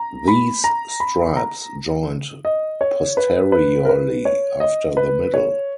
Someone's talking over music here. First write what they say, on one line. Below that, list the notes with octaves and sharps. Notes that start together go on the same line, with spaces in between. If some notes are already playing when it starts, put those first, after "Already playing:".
These stripes joined posteriorly after the middle.
Already playing: A#5
B5
A#5
B5
A#5
D#5
C#5
B4
B4
A#4
B4
C#5
D#5
B4
C#5